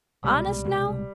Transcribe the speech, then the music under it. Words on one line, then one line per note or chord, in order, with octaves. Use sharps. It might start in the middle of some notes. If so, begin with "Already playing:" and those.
"Honest, now?"
C2 B2 G3 G#3
C2 B2 G#3